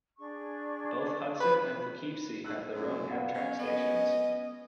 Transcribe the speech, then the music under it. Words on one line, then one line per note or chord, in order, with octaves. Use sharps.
Both Hudson and Poughkeepsie have their own Amtrak stations.
D4 G#4 C#6
B4
A2 E6 F#6
F#2
B3 F5 F#5
C#4
B3 D#5